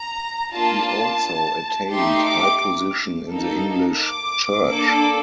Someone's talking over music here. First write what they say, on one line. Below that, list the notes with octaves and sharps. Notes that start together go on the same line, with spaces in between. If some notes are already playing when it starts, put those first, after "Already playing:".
He also attained high position in the English Church.
Already playing: A#5
A#3 D4 F4 A5
A3 D#4 G4 C6
D6
A#3 D#4 A4
D6
A#3 D4 A4 D6